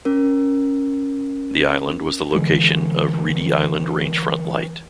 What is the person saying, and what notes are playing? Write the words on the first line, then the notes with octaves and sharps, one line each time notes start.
The island was the location of Reedy Island Range Front Light.
C#4 A#4
D3 E3 G#3